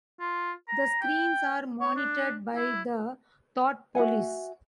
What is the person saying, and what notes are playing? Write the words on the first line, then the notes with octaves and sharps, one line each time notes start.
The screens are monitored by the Thought Police.
F4
A#5
G5
C#5
D4
E4
F#4 E5 F#5 G#5